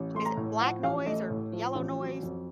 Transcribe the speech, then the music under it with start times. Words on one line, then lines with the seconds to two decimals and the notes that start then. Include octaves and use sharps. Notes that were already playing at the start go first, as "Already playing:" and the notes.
is it black noise or yellow noise, is
Already playing: A1
0.14 A3 C6
0.25 A#5
0.37 A2
0.60 F3 F#5
0.83 A1 F5
1.06 A3 D#5
1.30 A2
1.52 F3
1.75 A1
1.99 F#3
2.22 F2